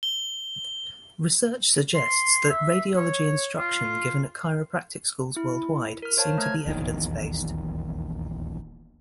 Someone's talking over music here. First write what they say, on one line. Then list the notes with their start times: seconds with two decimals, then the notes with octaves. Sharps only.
Research suggests that radiology instruction given at chiropractic schools worldwide seem to be evidence-based.
0.03 G7
1.95 C6
2.50 E5
2.97 C#5
3.59 F4
5.37 E4
6.02 A#4 F6
6.17 C5 C#5 F5 A5
6.38 A3 F6 G#6
6.66 D#1 A#1 E2 D#3